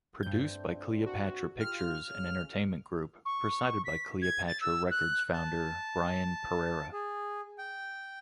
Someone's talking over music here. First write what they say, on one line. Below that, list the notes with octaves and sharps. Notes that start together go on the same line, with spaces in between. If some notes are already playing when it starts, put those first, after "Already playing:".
Produced by Cleopatra Pictures and Entertainment Group, presided by Cleopatra Records founder Brian Perera.
G2 A3 C4 D4 G6
F#4
F4 G4 F6
C#3
C#6
B6
G#6
A6
E6
F#6
A5
G#4
G5